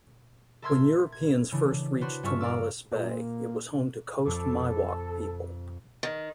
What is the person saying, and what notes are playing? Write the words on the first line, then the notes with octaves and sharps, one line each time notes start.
When Europeans first reached Tomales Bay, it was home to Coast Miwok people.
A4 A#4 E5 C6 E6 G#6
G#6
C#3 E3 D4
D4 F#4 B4 C5
G2 C#4 F4 E5 A5 C#6
A#4 D5 F5 D6 E6
A#2
F2 A4 C#6 D6
D#3